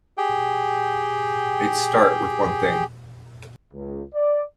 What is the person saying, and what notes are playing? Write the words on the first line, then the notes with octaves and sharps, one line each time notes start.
It start with one thing.
G4 G#4 G5
C#2
D5